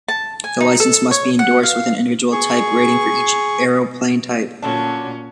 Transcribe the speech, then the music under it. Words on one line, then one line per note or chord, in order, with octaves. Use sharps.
The licence must be endorsed with an individual type rating for each aeroplane type.
A5
G#5
D#4
A4
C#5
F#5
F5
G#4 C#6
A#2 D3 F#3 C#4 D4